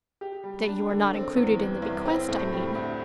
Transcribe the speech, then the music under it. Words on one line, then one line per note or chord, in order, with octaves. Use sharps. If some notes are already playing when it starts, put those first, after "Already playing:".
"That you are not included in the bequest, I mean."
G4
G3
D4
D3
C4
E2
E3
C2
C4
A2
G3
D2